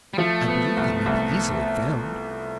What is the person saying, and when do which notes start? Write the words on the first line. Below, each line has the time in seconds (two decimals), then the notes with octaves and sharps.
I believe they may be easily found.'
0.14 G3
0.18 F3 A3
0.48 B3
0.77 C2
1.06 C2